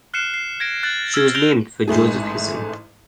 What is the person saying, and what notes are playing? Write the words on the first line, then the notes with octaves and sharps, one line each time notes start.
She was named for Joseph Hissem.
F6 F#6 C7 C#7 E7
C7
G#6 A#6 D7
F#6 A6 F#7
E6 F6 G#6
G6 A#6 D7 F7 G7
A1 G#2 A3 G#4